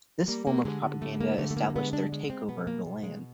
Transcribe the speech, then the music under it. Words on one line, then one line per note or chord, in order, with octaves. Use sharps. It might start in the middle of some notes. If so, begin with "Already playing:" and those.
This form of propaganda established their takeover of the land.
G3 A#3
A#3
D3 G#3
G3 A3
A#3
D3 A3
A3
A#3
A#3
G#3 B3
D4
G#3
C4
B2 B3
A#3
B2
G#3